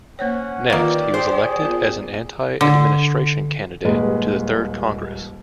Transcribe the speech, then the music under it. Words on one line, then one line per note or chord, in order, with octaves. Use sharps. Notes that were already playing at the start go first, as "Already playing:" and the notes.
Next, he was elected as an Anti-Administration candidate to the Third Congress.
A#3 C#4 C5 C#5 F#5
D#3 A#3 F4 G4 A#4 B4 D5
G#4 C5
B3 F4 A#4
D3
D#1 D#2 G#3 B4 D#5